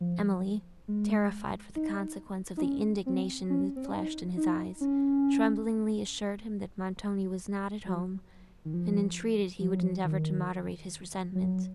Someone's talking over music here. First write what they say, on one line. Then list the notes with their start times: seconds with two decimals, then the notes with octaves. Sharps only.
Emily, terrified for the consequence of the indignation, that flashed in his eyes, tremblingly assured him, that Montoni was not at home, and entreated he would endeavour to moderate his resentment.
0.01 F3
0.88 G#3
1.76 D#4
2.57 D#4
2.63 C#4
3.06 C4
3.50 C#4
3.76 C4
3.85 C#4
3.93 D#4
4.37 D#4
4.81 C#4
7.86 F#3
8.65 D#3
8.74 F3
9.60 F3
9.71 F#3
9.80 F3
10.04 D#3
11.35 F#3